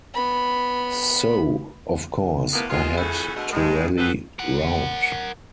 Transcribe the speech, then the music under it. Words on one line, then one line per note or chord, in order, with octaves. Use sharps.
So, of course, I had to rally round.
B3 B5
A2 A#3 B3
G#3 F4
F2 E3 A3 E4 F#4 G#4
D2 B2 G#3 A3
G2 G#3
C4 F#4 G#4 A4 B4
A#4 F#5